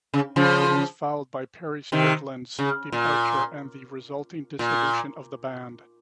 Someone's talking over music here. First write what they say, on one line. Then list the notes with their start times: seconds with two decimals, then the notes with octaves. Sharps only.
It was followed by Perry Strickland's departure and the resulting dissolution of the band.
0.14 C#3
0.36 C#3 F3
1.92 C3 D#3
2.59 C#3
2.92 A#2
4.59 A#2